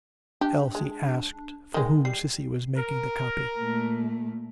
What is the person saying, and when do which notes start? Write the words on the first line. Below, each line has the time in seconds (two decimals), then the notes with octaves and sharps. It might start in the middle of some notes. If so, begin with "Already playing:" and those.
Elsie asked for whom Cissy was making the copy.
0.41 D4 G4
0.75 G#3
1.74 D#3 G#3
2.05 G3 C7
2.78 A#4
3.59 A#2 A3